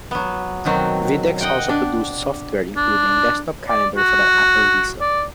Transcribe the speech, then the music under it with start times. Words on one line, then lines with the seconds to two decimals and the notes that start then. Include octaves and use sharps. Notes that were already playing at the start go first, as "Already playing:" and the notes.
Videx also produced software, including Desktop Calendar for the Apple Lisa.
0.11 F#3 B3
0.65 B2 D#3 F#3 C4
1.41 D#5 F#5 G5
1.69 D4
2.76 D4
3.68 D5
3.97 F#4
5.01 D5